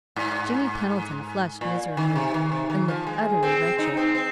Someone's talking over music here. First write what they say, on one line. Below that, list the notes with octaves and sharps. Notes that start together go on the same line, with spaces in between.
Jimmy Pendleton flushed miserably and looked utterly wretched.
G#2
A#2
D#3
C3
D#3
C3
D#3
F3
G#3
C4
D#4
C4
C4